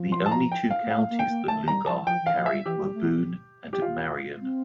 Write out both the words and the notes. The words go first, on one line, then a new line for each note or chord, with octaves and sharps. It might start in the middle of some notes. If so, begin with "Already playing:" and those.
The only two counties that Lugar carried were Boone and Marion.
Already playing: F3
C6
A5
A#5
G5
F5
A#3
A3 F5
A#3
G5
A#3
A3 A5
G3 A#5
F3 A5
E3
F3 G5
E3 F5
F3
G3 E5
E3 G4
G3
A3
G4
F4
C4